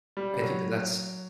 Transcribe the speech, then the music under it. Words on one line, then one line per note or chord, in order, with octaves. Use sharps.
I think that that's
G3
F#3